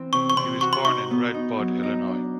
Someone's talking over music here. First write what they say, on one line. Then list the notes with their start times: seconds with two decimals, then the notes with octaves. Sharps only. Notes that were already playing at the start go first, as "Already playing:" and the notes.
He was born in Red Bud, Illinois.
Already playing: E3 C4
0.13 C3 C#6
0.30 C#6
0.37 C3 C6
0.61 F#4 C#6
0.73 C6
0.85 D#4 C#6
1.11 B3
1.34 D#4
1.59 F#3
1.83 D#4
2.07 D4